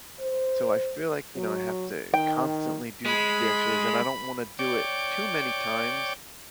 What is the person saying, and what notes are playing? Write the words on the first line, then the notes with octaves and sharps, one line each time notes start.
so, I feel like, you know, I have to constantly do the dishes, and I don't wanna do it too many times,
C5
F#3
D#3 G5
G#3 B5
C#5 D5 G5 D6